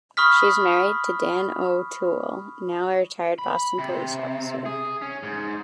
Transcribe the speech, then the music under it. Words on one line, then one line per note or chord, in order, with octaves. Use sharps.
She is married to Dan O'Toole, now a retired Boston police officer.
B5 C#6 D#6 F6 B6
B5
C3
G#4
C#4
G#2